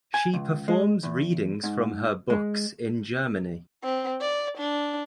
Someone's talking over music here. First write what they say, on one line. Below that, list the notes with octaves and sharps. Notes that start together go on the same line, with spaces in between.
She performs readings from her books in Germany.
G#5
C#2
G#3
E2
G#2
G#3
C4
D5
D4